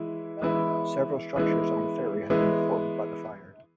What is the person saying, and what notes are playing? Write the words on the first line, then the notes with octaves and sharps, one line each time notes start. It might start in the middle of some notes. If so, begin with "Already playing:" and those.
Several structures on the ferry had been deformed by the fire.
Already playing: E3 G#3 E4
E3 G#3 B3 E4
E3 G#3 B3 E4
E3 G#3 B3 E4